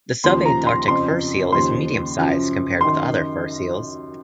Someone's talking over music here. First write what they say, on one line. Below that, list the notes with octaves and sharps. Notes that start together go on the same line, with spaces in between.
The subantarctic fur seal is medium-sized compared with other fur seals.
D#2 C#3 F3 C6
A#5
C6
F2 C#3 F3 C6
D#2 C#3 F3 C6
F#2 C#3 F3
F#2 D#3 C6